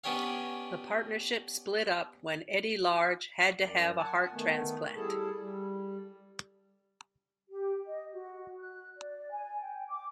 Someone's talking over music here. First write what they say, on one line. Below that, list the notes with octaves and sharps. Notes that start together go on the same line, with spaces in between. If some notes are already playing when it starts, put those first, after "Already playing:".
The partnership split up when Eddie Large had to have a heart transplant.
B3 C#4 D4 G4 C#5 F5
F#2 D5
F#5 G#5 A5
D#3 A3 B3
G3 E4 G#4 A4 A5
G3
G4
D#5
F#4
F#6
D5
G#5
G5
D6